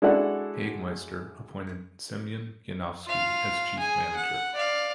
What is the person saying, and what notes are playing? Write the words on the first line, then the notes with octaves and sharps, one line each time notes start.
Hagemeister appointed Semyon Yanovsky, as Chief Manager.
G#3 D4 E4 F#4 A4 F#5
F4 F5
G#4 G#5
F#5
D5 F5